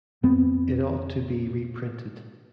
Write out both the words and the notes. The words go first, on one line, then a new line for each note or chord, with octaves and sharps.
It ought to be reprinted.
F2 B3 C4